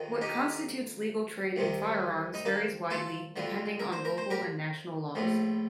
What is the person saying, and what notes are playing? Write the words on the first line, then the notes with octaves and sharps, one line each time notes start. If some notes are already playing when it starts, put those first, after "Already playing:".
What constitutes legal trade in firearms varies widely, depending on local and national laws.
Already playing: F2 D#3
D#4 G4
C2 C3 D#3
D#4
A#3 D4
F4 A4
F2 D3 F3
A#4
C5
A#4
C5
G4 A#4
A#1 A2 F3